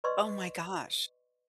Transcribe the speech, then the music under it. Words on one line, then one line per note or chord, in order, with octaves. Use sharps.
Oh my gosh.
B4 D5 D#5 C6 C#6 E6